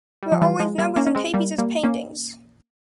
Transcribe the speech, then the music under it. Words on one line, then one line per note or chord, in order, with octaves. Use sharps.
There are always numbers in Tapies’s paintings.
G3
F3
E3 G3
F3 G#3
G3 A#3
A#3 C#4
C#4
G#3 C4
G3 A#3
G3 A#3
A#3 C#4